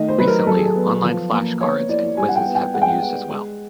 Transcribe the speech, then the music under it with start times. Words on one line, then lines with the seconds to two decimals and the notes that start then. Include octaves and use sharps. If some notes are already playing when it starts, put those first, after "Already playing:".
Recently, online flashcards and quizzes have been used as well.
Already playing: D#3 A3 D#5
0.08 C5
0.18 F#3 B4
0.27 A#4
0.47 F#3 A4
0.57 G#4
0.66 A4
0.75 B3
1.03 F3
1.32 A#3
1.60 B3 C#5
1.89 E4 D5
2.17 G3 G#5
2.29 F#5
2.36 G5
2.46 B3
2.55 G5
2.74 G#3 F#5
2.82 G5
2.89 F#5
3.02 B3 F#5
3.31 G#3